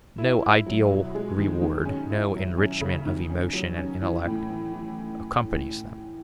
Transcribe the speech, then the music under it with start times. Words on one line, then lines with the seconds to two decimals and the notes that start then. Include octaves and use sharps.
No ideal reward, no enrichment of emotion and intellect, accompanies them.
0.18 E4
0.42 E4
0.66 F#3
0.90 B2
1.15 G#3
1.38 D#3
1.61 D#3
1.85 C#4
2.10 E4
2.34 F#3
2.58 C#4
2.81 C#3
3.05 D#3
3.30 C#4
3.53 F#3
3.78 C#4
4.01 E3
4.26 A2
4.50 E3
4.73 E3